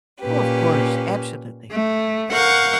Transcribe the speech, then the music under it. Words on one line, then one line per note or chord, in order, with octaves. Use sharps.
Oh, of course, absolutely.
A#2 C#4 G4 B4
A3
A#4 F5 F#5 C#6 G6